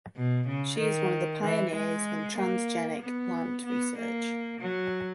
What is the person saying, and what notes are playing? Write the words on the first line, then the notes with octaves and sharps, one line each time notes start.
She is one of the pioneers in transgenic plant research.
B2
C#3
D#3
E3
G#3
A#3
B3
B3
A#3
F#3